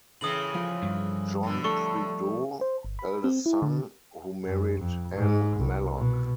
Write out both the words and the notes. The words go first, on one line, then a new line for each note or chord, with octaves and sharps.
John Prideaux, eldest son, who married Anne Mallock.
A2 C#3 E3 D#6 F#7
F3 F4
G2
A2 D3
G3 A3 A4 C#6
C5
G1
B5
C4
E4
D3
F#2
F2
G#2
C2
B2